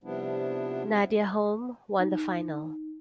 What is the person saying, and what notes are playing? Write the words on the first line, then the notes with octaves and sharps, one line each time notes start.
Nadja Holm won the final.
C3 F3 G3 B3 D4 E4
D#4